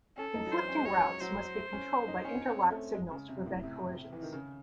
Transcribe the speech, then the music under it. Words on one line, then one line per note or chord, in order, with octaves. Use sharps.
Conflicting routes must be controlled by interlocked signals to prevent collisions.
C#4 A4
D#4
F#3
E3 C5
C#4
G#3
F#3 C#5
F#3 C5
A3
C#4
D#4
C#4 C#5
C4
A3
G#3
C#3
C3
A2
C3
E3
D#3
C#3